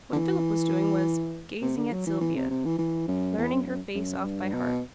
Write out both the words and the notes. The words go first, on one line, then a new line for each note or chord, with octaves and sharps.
What Philip was doing was, gazing at Sylvia--learning her face off by heart.
D3
E3
C3
D3
F#3
E3
E3
C3
C3
E3
E3
F#2
E2
F#2
F#2
F#2
G2
B2